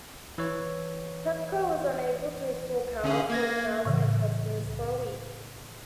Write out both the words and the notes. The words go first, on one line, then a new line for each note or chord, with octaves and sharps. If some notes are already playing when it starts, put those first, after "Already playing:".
Pepco was unable to restore power for thousands of customers for a week.
E3 C#5
D3 C#4 G#4
A#3 G#6 A#6
A2 C#3 E3